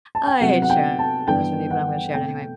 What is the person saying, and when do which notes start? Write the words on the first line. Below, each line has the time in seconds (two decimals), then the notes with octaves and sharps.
I hate sharing this with you, but I'm gonna share it anyway.
0.15 A5
0.27 G5
0.41 C3 F#3 B3 F#5
0.62 F#5
0.70 G5
0.99 A5
1.27 G2 E3 B3 D4 G5
1.70 F#5
2.14 B2 A3 C4 G5